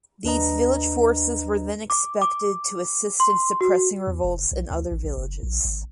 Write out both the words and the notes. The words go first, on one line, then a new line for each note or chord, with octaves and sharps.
These village forces were then expected to assist in suppressing revolts in other villages.
D#2 D4 B4 D#5 A#5
D6
D6
C6
F#4
E2
F1
B1
D2
A1
A#1
F#1
A#1
G#1